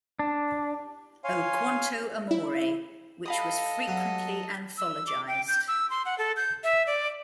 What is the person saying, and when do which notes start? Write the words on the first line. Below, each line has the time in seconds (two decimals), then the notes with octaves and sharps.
O quanto amore, which was frequently anthologised.
0.19 D4
1.24 C#5 F5 G#5 C6
2.31 E4
3.26 A4 D#5 F5 B5 D#6
3.88 F#3
4.78 E6
5.07 D6
5.27 G5
5.48 G6
5.68 E6
5.90 C6
6.06 F#5
6.18 A4
6.37 G6
6.64 E5
6.87 D5